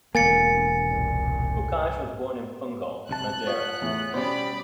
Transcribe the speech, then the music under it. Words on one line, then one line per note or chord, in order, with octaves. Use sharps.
Bocage was born in Funchal, Madeira.
E1 D3 A#3 G#5 A6 C#7
C2 G2 A#2
B1 C3 A5 F#6
B3 F4 C#5
E2 A2 E3
B2 G3 C#4 C5 D5 B5